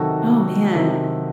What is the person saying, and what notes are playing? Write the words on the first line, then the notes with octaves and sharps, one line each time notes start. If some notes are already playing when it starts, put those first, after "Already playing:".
Oh, man.
Already playing: C3 D#3 F#3 F#4 A4
C3 D#3 F#3